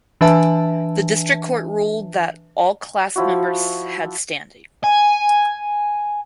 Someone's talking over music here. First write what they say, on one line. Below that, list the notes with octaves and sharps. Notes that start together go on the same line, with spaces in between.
The District Court ruled that all class members had standing.
E3 D4 B4 E5 G#5 A5
F3 E4 F#4
G#5